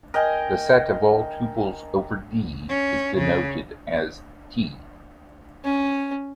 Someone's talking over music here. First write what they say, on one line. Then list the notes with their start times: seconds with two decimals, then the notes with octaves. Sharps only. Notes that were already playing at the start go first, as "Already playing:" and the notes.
The set of all tuples over "D" is denoted as "T".
0.14 A#4 D#5 G5 G#5
2.69 C#4
3.17 C#3
5.64 C#4